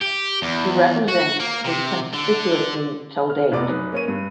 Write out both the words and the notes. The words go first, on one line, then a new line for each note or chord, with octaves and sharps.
He represents his Constituency till date.
G4
E2
F#4
A#3
C3
D3
F6
F1 C3 B3 D5 D6
F#2 D#4 B4
A#3 C#4 D#7
G2